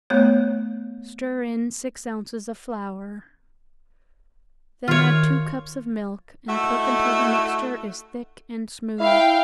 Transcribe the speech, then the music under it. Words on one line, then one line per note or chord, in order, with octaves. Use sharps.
Stir in six ounces of flour. Then add two cups of milk and cook until the mixture is thick and smooth.
A3 B3 C#5
D#3 F4 C#5
A3 D#4 E4 F#4 A4
E4 F5 G5